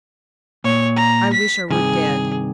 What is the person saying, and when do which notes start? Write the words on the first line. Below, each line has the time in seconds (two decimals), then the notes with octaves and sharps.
I wish I were dead.
0.64 A#2 C#5
0.96 A#5
1.33 B6
1.70 G2 C3 D#3 G#4